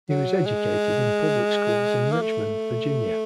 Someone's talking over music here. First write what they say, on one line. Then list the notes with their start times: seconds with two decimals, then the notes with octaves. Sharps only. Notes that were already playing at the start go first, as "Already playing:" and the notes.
He was educated in public schools in Richmond, Virginia.
0.10 F#3
0.46 G#3
2.12 A#3
2.21 A3